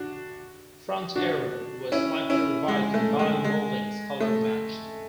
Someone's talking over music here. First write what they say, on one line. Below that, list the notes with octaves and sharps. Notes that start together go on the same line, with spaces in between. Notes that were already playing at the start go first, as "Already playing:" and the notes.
Front aero was slightly revised and body mouldings colour matched.
Already playing: D4 F#4
D4 F#4
C#4 E4
C#4 E4
G#3
A3
G#3
G#3
A3